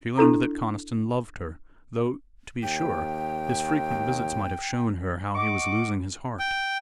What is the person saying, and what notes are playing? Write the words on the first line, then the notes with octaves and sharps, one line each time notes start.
She learned that Conniston loved her, though, to be sure, his frequent visits might have shown her how he was losing his heart.
D4 E4 A4 A#5
D#2 G5
D#5 F#5 C#6 D6
G5